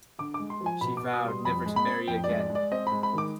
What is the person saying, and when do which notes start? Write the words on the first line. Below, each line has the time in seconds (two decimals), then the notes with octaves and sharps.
She vowed never to marry again.
0.19 D3 D6
0.34 D6
0.39 G#3
0.50 C6
0.61 F3
0.66 G#5
0.81 B2 B5
0.97 D6
1.02 B2
1.13 D#6
1.24 G3 C6
1.45 F2 B5
1.66 G#3
1.76 B5
1.86 C4
2.08 F2 G5
2.24 D5
2.29 G#3
2.40 D5
2.49 G#3
2.55 D5
2.72 C4 D#5
2.87 G#3 B5
3.03 B5
3.13 D#3 D6